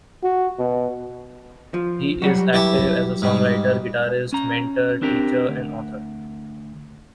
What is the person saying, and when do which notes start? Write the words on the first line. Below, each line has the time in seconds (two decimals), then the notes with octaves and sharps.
He is active as a songwriter, guitarist, mentor, teacher, and author.
0.23 F#4
0.59 B2
1.74 F3
2.22 F#3 G3 F#4
2.53 E3 G4 A5
3.22 G#2 G3
4.33 C#4 A#5
5.02 C4 D4 G4 A#4
5.48 D2